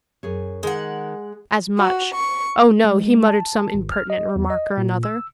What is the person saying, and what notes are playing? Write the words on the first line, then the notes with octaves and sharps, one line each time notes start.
"As much--oh, no! he muttered some impertinent remark or another."
F#2 G#4 C#5
D#3 G#3 F#5
F#4
C#6
G#3
A5
G#1
F6
D#5
E2
D#5
A#2
E6